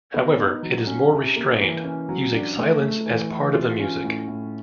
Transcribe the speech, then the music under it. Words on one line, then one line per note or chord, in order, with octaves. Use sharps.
However, it is more restrained, "using silence as part of the music".
B3
D#4
F#3
C#4
C3
A#3
E3
C#4
F#3
D4
A3
A3
E3
E3
F4
C#4
A2
A2